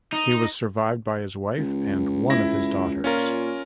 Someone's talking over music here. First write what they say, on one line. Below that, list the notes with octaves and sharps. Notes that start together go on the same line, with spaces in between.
He was survived by his wife and one of his daughters.
D#4
C#2
E4 A#6
A#2 C#4 F4 A#4